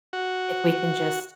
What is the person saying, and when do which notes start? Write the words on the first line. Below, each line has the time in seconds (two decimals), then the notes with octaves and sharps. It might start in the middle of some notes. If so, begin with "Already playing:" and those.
if we can just
0.13 F#4